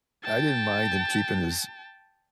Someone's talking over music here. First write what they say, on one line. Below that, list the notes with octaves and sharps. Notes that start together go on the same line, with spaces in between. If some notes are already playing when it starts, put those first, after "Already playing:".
I didn't mind him keeping his
G5 A5